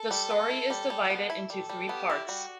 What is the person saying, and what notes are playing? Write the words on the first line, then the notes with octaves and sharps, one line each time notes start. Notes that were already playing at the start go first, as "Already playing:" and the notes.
The story is divided into three parts.
Already playing: A4
G3
B3
E4
G3
G3
B3
E4
G3 A4
G3
B3 G4
E4
G3 F#4